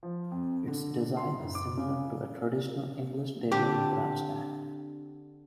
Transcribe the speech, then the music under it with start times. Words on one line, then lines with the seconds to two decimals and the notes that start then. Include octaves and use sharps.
Its design is similar to a traditional English stadium grandstand.
0.03 F3
0.31 F2
0.68 D3
1.17 C6
1.39 F#1
1.55 D6
1.77 C#3
3.52 D3 C4 D4 G4